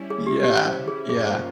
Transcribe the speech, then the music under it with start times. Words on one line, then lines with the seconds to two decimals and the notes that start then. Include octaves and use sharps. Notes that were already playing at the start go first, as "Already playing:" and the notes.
Yeah, yeah.
Already playing: G3 C#4 E4
0.10 G#4
0.27 G4
0.44 G4
0.65 C5
0.88 G#4
1.09 G2 F3 A#3 C#4 F4 G#4
1.26 C5